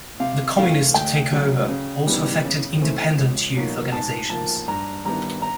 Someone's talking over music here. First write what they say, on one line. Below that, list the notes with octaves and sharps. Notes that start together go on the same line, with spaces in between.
The communist takeover also affected independent youth organisations.
C3 F5
E3 A3 F5
D2 G5
C#3 F#3
C#3
E3 G3 B3 D#4
C#3
E3 A3 C4
C#2
B2 F#3 A#3 D#4
G#2 A5
F3 A#3 A5
G2 A#5
D#3 G3 B3 E4 A#5
A#5